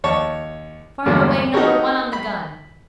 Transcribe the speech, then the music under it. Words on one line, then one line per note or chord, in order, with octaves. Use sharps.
Fire away number one on the gun.
D#2 C#5 A5 C#6
E2 G2 D3 F#3 G#3 A#3
D#4 F#4 G4 A4 A#4 C#5
B5